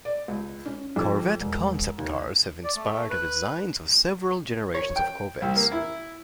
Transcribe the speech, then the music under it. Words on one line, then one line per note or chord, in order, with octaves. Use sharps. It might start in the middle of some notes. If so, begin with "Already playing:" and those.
Corvette concept cars have inspired the designs of several generations of Corvettes.
D5
C#2
C#4
F2
E1
D#2
D5
A3
B4
C#5
G5
C2
A#3
E4